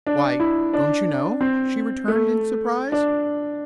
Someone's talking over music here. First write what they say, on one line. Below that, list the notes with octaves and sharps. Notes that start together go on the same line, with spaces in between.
"Why, don't you know?" she returned, in surprise.
D4
E4
D4
C4
A3
D4